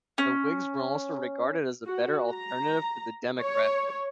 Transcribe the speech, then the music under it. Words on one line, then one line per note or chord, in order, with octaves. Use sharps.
The Whigs were also regarded as a better alternative to the Democrats.
C#4
F#4
A#5
C#5